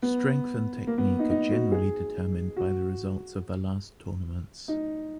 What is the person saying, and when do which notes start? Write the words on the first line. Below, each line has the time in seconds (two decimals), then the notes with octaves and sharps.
Strength and technique are generally determined by the results of the last tournaments.
0.02 B3
0.87 A#3
0.98 B3
1.19 D#4
1.30 D#4
1.51 F#4
1.72 G#4
2.57 F#4
4.68 D#4